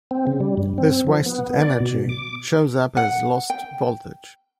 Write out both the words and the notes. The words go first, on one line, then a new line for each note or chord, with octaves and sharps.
This wasted energy shows up as lost voltage.
C4
C#3
G3
G2
C4
F3
B3
D5
B2
D6
F#5
G5